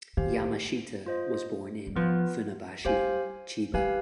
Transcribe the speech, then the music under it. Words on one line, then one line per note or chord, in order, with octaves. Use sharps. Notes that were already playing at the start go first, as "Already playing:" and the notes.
Yamashita was born in Funabashi, Chiba.
D#3 G4 C5 F5 G#5
F4 C5 D#5
G3
F3 B3 F4 B4
G3 G4 C5 F5 G#5
G#3 G4 B4 F5 G#5